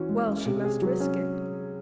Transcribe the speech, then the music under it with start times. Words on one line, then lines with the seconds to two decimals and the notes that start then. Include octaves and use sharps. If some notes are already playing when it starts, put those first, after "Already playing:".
Well, she must risk it.
Already playing: E3 C#4 F#4
0.09 G#3
0.28 C#4
0.46 C3
0.64 G#4
0.82 F#3
1.00 C#4